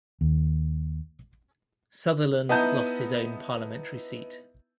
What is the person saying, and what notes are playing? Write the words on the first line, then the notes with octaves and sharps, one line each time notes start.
Sutherland lost his own parliamentary seat.
D#2
B3 D#4 E4 A5 A#5 G6